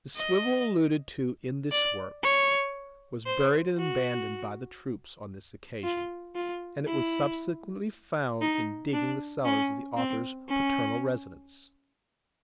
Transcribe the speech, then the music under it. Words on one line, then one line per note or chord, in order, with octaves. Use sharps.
The swivel alluded to in this work was buried and abandoned by the troops on this occasion, and it was subsequently found in digging the cellars of the authors paternal residence.
D#5
D5
C#5
C5
F#4
F4
F4
E4
D#4
D4
C#4
C4
C#4